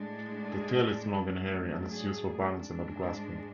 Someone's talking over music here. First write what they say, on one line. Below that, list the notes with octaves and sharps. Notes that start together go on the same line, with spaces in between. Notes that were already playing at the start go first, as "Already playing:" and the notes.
The tail is long and hairy, and is used for balance and not grasping.
Already playing: A2 G#3 D4
G#4
G#2 F#3 A3 D4
G#4
G#2 G#3 D4